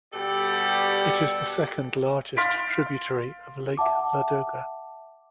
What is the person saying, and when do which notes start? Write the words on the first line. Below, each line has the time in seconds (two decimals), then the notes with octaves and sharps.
It is the second largest tributary of Lake Ladoga.
0.13 B2 G3 G4 A4 D5 F#5
2.37 F5 C6 F6 A6 B6 D7
3.77 E5 F#5 A5 D6